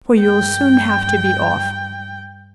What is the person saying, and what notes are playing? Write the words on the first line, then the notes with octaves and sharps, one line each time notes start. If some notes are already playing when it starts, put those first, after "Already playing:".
For you'll soon have to be off.
G2 G5